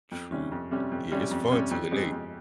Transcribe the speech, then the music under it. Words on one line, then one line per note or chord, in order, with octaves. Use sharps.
True. Yeah, it's fun till it ain't.
F2
C3 G3 C#4
F2
C3 G3 C#4
F2
C3 G3 C#4
F2
C3 G3 C#4
F2
C#3 G#3 C4 G4
F2